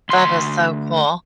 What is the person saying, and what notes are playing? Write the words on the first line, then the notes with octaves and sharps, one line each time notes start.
That is so cool.
D2 C6